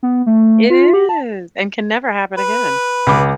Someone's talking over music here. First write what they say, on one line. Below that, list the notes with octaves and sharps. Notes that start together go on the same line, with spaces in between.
It is and can never happen again.
B3
A3
F4
G4
A5
B4
C#2 B5 D6